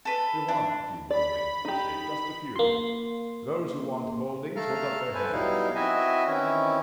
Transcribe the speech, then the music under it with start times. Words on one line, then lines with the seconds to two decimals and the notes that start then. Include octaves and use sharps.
We want a few mouldings, you will say--just a few. Those who want mouldings, hold up their hands.
0.05 A4 B4
0.48 D4
1.10 D5 B5
1.65 D#4 G4
2.56 A#3 C6
4.56 A3 A4 F5 A#5 F6
5.14 A4 B4 C5 G#5
5.33 B2 F#3 G3 D#4 E4 F5
5.75 C4 E4 F#4 D#5 E5 G#5
6.27 D#3 E3 C4 C#4 E4